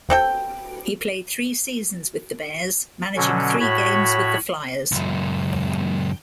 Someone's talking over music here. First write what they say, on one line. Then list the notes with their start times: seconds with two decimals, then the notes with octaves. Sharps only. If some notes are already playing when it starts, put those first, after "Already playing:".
He played three seasons with the Bears, managing three games with the Flyers.
0.10 C4 A4 G5
3.16 B2 D3 F#3 C#4
3.60 A2 F#4 C#5 B5
4.92 C#2 F#2